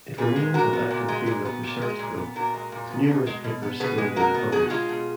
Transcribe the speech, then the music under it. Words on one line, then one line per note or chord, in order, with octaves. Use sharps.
It remains an active field of research though, with numerous papers still being published.
A#2 G#4 B4
G#3
A#2 F#4 A#4
B3
A#2
G#3
A#2
B3
A#2
G#3
A#2
B3
A#2 F#4 A#4
G#3
A#2
B3
B2
G#3
B2
B3
B2 G#4 B4
G#3
B2 F#4 A#4
B3
B2 G#4
F#4
G#3 F4 G#4
B2